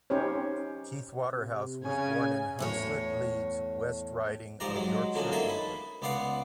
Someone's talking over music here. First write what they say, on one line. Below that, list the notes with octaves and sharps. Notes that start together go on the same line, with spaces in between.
Keith Waterhouse was born in Hunslet, Leeds, West Riding of Yorkshire, England.
C#4 D#4 G4 C5 C#5
C3
C#3 C#4 G#5
E2 A2 C#5
G#2 F3 G4 D5 A#5
F#3 G#3
D3 F3 F#3 A#3 C#4
A#3 D#4 G#4 A4 E5 A5
B4
C#2 B3 D5 F5 F#5